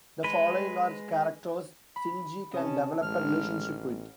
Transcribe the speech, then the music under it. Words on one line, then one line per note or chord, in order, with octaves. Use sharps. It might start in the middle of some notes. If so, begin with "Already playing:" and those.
The following are characters Shinji can develop a relationship with.
G#3 B4
B5
C3 C#4 D#5 A5
A1 G#3 F6